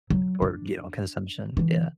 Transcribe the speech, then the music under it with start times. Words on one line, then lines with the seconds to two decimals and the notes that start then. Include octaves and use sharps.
or, you know, consumption, yeah.
0.10 F#3
0.42 D4
1.57 D3 E3